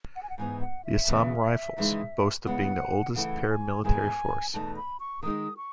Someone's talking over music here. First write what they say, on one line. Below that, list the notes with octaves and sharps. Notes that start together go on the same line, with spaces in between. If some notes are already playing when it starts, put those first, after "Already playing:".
The Assam Rifles boast of being the oldest paramilitary force.
F#5
G#5
F#5
G#2 E3 B3 D#4 G#5
F#5
E5
E2 C#3 E3 B3
D#2 C#3 E3 G#3 D#4
C#3 G#3 B3 E4 F#5
C#3 E3 A3 E4 F#5
G#5
G#2 D#3 G#3 B3 E4 G#5
E2 B2 A3 D#4 A5
B5
C#6
D#3 G#3 D#4 D#6
C#6